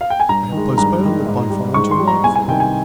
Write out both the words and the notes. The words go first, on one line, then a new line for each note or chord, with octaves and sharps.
I have postponed the bonfire until nightfall.
F5
G5
G#5
G2 A#5
D#3 G#3
G2 A#5
D#3 G#3
G#2
G3
G#2 C#6
C6
G3
A#5
C2 G#5
G#5
C3 D#3 G5
G#5